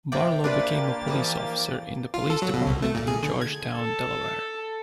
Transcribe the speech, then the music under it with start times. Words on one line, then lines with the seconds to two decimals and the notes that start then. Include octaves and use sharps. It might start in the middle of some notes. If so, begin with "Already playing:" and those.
Barlow became a police officer in the police department in Georgetown, Delaware.
0.12 C3 D5 E5 G5
0.44 A#3 D4 F4 G4 A#4 B4 D5 A6
1.08 E3 F3
2.14 F4
2.30 A4
2.42 F#3
2.54 B2
2.66 C2
2.82 A3
2.95 A#2
3.08 G#4
3.23 D3
3.41 G#6
3.75 A4